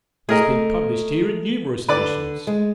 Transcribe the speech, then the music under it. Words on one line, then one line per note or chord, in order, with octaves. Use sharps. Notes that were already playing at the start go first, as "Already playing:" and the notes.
It has been published here in numerous editions.
A3 G#4 A#4 D#5
D3 B4 D5 D6
G#3